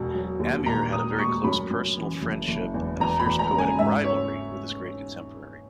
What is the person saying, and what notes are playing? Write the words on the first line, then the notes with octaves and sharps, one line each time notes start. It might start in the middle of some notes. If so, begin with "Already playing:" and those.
Amir had a very close personal friendship-and a fierce poetic rivalry-with his great contemporary.
Already playing: E1 B2
F#3
D#2
A#2 A#5
A#2 D#6
G#3 C#6
F#2 B5
F#2
E3
F#1
F#1
E2
E2 A#5
B5
E2
A#5
C#3
G#5
G#2 E5
C#4 C#5